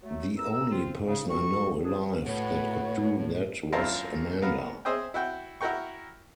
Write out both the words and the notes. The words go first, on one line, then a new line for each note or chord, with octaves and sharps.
The only person I know alive that could do that was Amanda.
F#3 A3
E2 A#5 E6
C4 F4
C#3
D2 C4 F#4 C#6
A#2 F3 D4 G#4
A2 F#4 B4 C#5
G#1 F#2 E4 F4 A#4 A5
B3 A#4 B4 F5
G#4 C5 D#5 E5 G5
E4 F#4 G5
E4 F#4 A#4 G5 C#6